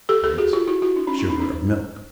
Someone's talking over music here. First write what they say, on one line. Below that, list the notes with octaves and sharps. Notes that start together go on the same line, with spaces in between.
Spirits. Sugar of milk.
G4 A4
G4 A4
F#4 G#4
F4 G4
E4 F#4
E4 F#4
D4 E4
C#4 D#4
D4 E4
C#4 D#4
C#4 D#4